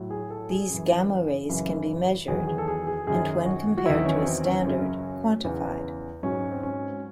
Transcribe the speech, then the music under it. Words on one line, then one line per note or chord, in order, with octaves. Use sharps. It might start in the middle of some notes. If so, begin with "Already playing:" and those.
These gamma rays can be measured, and when compared to a standard, quantified.
Already playing: A2 F#3
G#4
A4
G#4
F#2 E3
F#2 C#3 E3
E2 D#3 F#3 G#4
G#4
A4
G#4
G#4
F#2 D#3 F#3 G#4
F#4
F#4
E2 D#3 F#3 E4
C#4
C4
C#4
F#2 C#3 F#3
E2 C#3 E3
G#2 F#3 C#4
C4
C#4